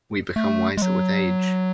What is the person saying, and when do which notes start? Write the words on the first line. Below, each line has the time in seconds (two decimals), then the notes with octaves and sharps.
We become wiser with age.
0.36 A3
0.77 G#3
0.82 F#3